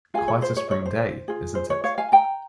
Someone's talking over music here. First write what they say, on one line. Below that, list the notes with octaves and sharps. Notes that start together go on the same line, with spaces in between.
Quite a spring day, isn't it?
F4 G#4 F5 G#5
C#5
C5
C#5
C#5
C5
F4 G#4
C5
C#5
C#5 F5
F5 G#5
G5 A#5